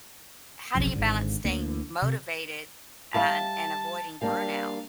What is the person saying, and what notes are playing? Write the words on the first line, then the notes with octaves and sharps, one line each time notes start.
how do you balance staying motivated and and avoiding burnout
F#1 B1 F2 C#3
G#1 G#2 D3
D2 A#3 D4
C3
G3 E5 F5 A5
G3 A#3 D4 F5